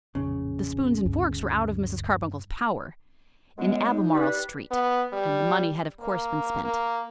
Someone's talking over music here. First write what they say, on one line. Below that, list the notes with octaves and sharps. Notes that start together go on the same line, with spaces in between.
The spoons and forks were out of Mrs. Carbuncle's power,--in Albemarle Street; and the money had of course been spent.
A1 F2 A#2 C#3
D2 G2
F#2 G#3 B3
D#4
G3 B4
B3
G3
A#3
A#3